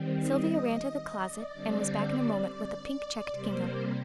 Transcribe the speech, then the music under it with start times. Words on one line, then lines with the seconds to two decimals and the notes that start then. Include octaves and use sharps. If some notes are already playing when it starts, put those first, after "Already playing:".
Sylvia ran to the closet and was back in a moment with a pink checked gingham.
Already playing: D#3 G3 C4
0.22 D#5
0.65 D#5
0.94 D#5
1.25 D5
1.53 D3 G3 C4
3.30 C3 G3 A#3 C5